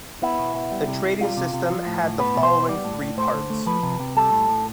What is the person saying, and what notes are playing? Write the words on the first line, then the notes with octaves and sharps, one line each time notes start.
The Trading System had the following three parts.
B3 E4
B2
B3
G3
C3
C3
G3 F4
C3
C3
F3
A2
A2
B3 B4
B2
C5
B3
G3 D5
A2
A2
A3 C5
D3
A3
F3 B4
C3
C3
G3 A4
A2
A2